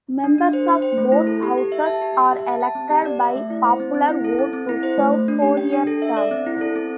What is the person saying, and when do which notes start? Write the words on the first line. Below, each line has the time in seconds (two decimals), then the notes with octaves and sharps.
Members of both houses are elected by popular vote to serve four-year terms.
0.24 D4
0.38 D4
0.53 C5
0.68 G5
0.82 C5
0.98 A3
1.12 E4
1.27 A4
1.43 G4
1.58 G4
1.72 E5
1.86 A5
2.01 G4
2.17 G4
2.31 E5
2.46 A5
2.61 A5
2.75 C4
2.90 G4
3.06 D5
3.21 E5
3.35 A3
3.50 E4
3.65 C5
3.80 C4
3.94 C4
4.09 E4
4.24 A4
4.39 C4
4.53 C4
4.69 E4
4.83 C5
4.98 A3
5.13 A3
5.28 D4
5.42 G4
5.57 G5
5.73 D4
5.87 A4
6.02 E5
6.17 D5
6.31 C4
6.46 E4
6.61 A4
6.76 C4